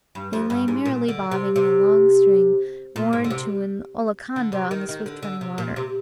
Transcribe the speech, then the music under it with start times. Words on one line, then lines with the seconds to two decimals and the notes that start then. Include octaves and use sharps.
They lay merrily bobbing in a long string moored to an Ollaconda on the swift-running water.
0.15 G2
0.33 F2
0.50 G2
0.68 G#2
0.85 A#2
1.08 D3
1.31 C3
1.56 C3
2.96 A#2
3.13 G#2
3.24 D3
3.30 C3
4.36 D3
4.53 C3
4.71 D#3
4.89 D#3
5.06 D3
5.23 D3
5.41 C3
5.58 A#2
5.76 C3